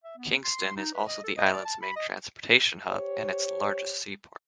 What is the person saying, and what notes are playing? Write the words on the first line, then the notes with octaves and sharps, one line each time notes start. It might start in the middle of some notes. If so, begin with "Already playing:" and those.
Kingston is also the island's main transportation hub and its largest seaport.
E5
B3
C6
D#4
B4
D#5
A4
D#5
D5
A5
B5
D#5
G4 C5 C#5